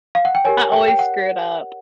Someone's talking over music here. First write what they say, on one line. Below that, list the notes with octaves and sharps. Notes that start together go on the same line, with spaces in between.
I always screw it up.
F5
F#5
G5
G4 A#4 C#5 G#5
G5
G5
F#5